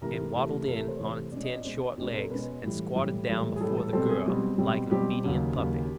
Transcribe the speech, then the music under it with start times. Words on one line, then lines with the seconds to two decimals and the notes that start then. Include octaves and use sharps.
It waddled in on its ten short legs, and squatted down before the girl like an obedient puppy.
0.02 C3 E3 A3 A#4
0.34 C3 E3 A3
0.67 C3 E3 A3 A4
0.78 A#4
0.88 C5
0.96 C3 E3 A3 C#5
1.06 C5
1.32 B2 G#3 C#4 D5
1.43 D#5
1.54 D5
1.65 B2 G#3 C#4 C5
1.97 B2 G#3 C#4 G4
2.07 G#4
2.14 A4
2.22 A#4
2.30 B2 G#3 C#4 B4
2.63 A2 E3 G3
2.95 A2 E3 G3
3.28 A2 E3 G3
3.56 G#4
3.61 A2 E3 G3 A4
3.77 A4
3.93 B2 G3 C4 A4
4.09 G#4
4.26 B2 G3 C4
4.58 B2 G3 C4
4.91 B2 G3 C4 G4
5.24 D#2 C#3 F#3
5.57 D#2 C#3 F#3